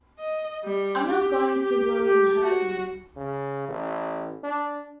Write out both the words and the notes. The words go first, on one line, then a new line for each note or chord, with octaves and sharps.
I'm not going to William Hurt you.
D#5
G3
G4
G4
G4
F#4
C#3
A1
D4